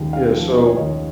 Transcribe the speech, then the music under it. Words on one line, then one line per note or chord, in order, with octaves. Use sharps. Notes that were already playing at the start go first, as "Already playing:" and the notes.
Yeah, so
Already playing: D#2 C#3 F3 G#3 G5
C#3 F5
F3
G#3 D#5
C#5
D#2 D#5